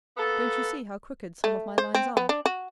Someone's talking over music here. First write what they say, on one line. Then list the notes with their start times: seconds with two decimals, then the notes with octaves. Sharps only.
Don't you see how crooked some of my lines are?
0.17 A#3 B3 A4
1.44 A3
1.78 C5
1.95 C4
2.17 B3
2.29 D4
2.46 F#4